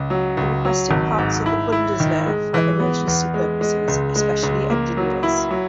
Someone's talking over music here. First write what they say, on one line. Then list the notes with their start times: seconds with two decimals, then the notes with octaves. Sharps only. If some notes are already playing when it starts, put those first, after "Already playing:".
He requested parts of the Bundeswehr for emergency purposes, especially engineers.
Already playing: C#2
0.10 F#3
0.37 C#2
0.65 F#3
0.91 G#1
1.18 G#2
1.46 E4
1.72 E4
2.00 D#3
2.26 G#3
2.54 E3
2.80 B3
3.08 E2
3.34 G#3
3.61 G#3
3.88 C#2
4.16 G#3
4.43 C#2
4.70 A#3
4.97 F#3
5.23 E4
5.51 F#3